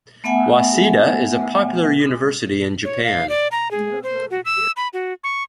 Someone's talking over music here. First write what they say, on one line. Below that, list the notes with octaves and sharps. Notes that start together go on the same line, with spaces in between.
Waseda is a popular university in Japan.
A3 B3 E5 F#5 G#5
C#5
F5
D5
A#5
G#4
C5
F#4
E6
B5
F#4
C#6